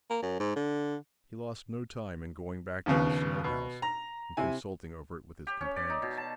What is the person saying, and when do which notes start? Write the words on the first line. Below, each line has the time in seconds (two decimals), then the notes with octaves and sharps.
He lost no time in going back to the snow house, and consulting over it with his companions.
0.10 A#3
0.22 F#2
0.40 G#2
0.56 D3
2.86 A#1 D#2 C#3 B3
3.44 B2
3.82 A#5
4.37 C3 E4 G#5
5.47 G4
5.61 C#4
5.76 D5
5.90 D#4
6.02 B2
6.17 A5